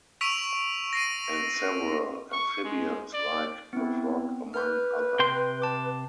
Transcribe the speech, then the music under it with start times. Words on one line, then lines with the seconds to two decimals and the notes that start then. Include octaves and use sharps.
And several amphibians like the frog, among other.
0.21 C#6 E6 B6 D7 D#7 F7
0.93 A#6 C7 D#7
2.32 C#6
2.65 G#3
3.13 D5
3.73 B3 C4 E4
4.54 B4 F6 G6
5.19 C3 G5 C6
5.62 A5 D6